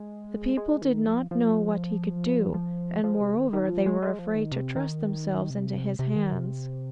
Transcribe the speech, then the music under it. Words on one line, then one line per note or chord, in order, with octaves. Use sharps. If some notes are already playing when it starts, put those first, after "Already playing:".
The people did not know what he could do, and moreover they were afraid to trust themselves into his hands.
Already playing: G#3
G#3
D#3
F3
F3
F3
F3
C3
D#3
D#3
F3
G#3
G#3
F3
D#3
C3
D#3
C3
C3
D#3
C3